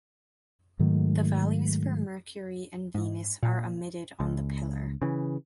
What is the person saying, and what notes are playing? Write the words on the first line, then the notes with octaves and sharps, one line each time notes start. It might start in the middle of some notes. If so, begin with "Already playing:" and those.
The values for Mercury and Venus are omitted on the pillar.
G#2 D#3 F#3 A3
G#2
A#2
C#2
C#3 E3